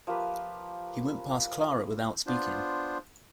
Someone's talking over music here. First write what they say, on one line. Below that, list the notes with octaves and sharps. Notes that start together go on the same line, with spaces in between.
He went past Clara without speaking.
F3 A#3 G4 B4
B3 D4 F4 C5